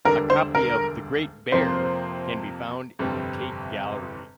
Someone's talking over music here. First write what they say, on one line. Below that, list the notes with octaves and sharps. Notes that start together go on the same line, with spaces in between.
A copy of "The Great Bear" can be found in the Tate Gallery.
E1 D2 D3 G3 D4 A#4
C5
A#4
F2 C3 F3 A#3 C5
G1 F2 C3 G3 C4